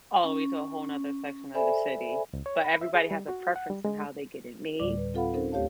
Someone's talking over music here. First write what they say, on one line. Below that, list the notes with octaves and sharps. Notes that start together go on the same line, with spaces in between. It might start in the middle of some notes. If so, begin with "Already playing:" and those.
all the way to a whole 'nother section of the city. But, everybody has a preference in how they get it made,
C#4
A4 C5 D5 E5 G#5 B5
C#2
C#5
B5
E5
G#4
G3
F#4
F#5
G3
G#3
D2 A2 D3 G3 D5 D6
B4
C4 F4 A4 F5 F#5 B5
C4 C#4 D#4 A4 A#4 C5
D#2 A3 G4 C#5 F5 A5